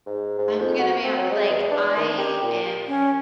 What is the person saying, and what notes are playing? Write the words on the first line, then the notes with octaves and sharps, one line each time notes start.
I'm gonna be ho like, I am
G#2
G#2
F2
F#4
C4
F#3
G#3
E2
D4
D#3
G4
A#2
C#4